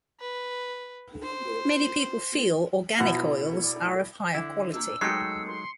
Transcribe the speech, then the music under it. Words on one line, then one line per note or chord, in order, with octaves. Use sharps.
Many people feel organic oils are of higher quality.
B4
C5
B2 E4 F#5 A5 A#5
D5
D3 E4
A#2 D4 E6
F#3 G#3 A3 D#4 A4 G5 C7 C#7
C6